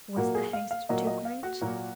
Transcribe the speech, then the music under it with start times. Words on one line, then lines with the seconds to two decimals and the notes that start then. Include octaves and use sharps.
Was the haste too great?
0.16 A#2 F#3 A#3 F#4 F#5
0.35 G#4 G#5
0.53 F5
0.71 F5
0.89 A#2 F#3 A#3 D#5
1.07 D#5
1.25 F5
1.43 F#4 F#5
1.61 A#2 F#3 A#3